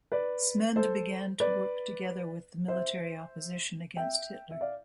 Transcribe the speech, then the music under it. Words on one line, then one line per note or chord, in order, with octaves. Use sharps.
Smend began to work together with the military opposition against Hitler.
B4 D5
A4 C5
B4 D5
C5 E5
E5 G5
E5
D5 F5